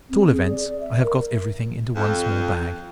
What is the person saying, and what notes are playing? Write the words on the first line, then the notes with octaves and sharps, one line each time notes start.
At all events, I have got everything into one small bag.
C4
G#4
D5
E5
A#4
F2